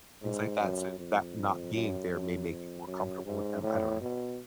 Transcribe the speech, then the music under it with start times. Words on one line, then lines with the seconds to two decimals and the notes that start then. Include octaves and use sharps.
things like that, so that not being there may make you more comfortable with them, I don't know.
0.22 G#2
0.60 F#2
0.98 F2
1.74 F#2
2.11 F#2
2.49 F2
2.87 F#2
3.25 G#2
3.63 A2
4.01 B2